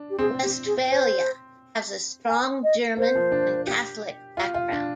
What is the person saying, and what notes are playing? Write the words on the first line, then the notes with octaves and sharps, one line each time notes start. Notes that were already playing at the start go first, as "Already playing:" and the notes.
Westphalia has a strong German and Catholic background.
Already playing: D4
G4
C4 G#4
G4
G#4
C5
G#5
D#5
A#3 C5
F3
D4
G4
F4
F4
D4